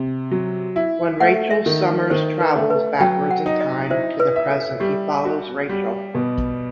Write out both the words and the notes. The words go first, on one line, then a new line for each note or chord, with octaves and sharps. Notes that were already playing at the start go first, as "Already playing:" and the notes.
When Rachel Summers travels backwards in time to the present, he follows Rachel.
Already playing: C3
F#3
E4
A3 F#5
E5
D#3
D#3 C5
B4
A3
B4
F#3 G5
F#5
D#4
D#5
E4 C5
B4
E5
A4
G3 G4
F#4
G3
B2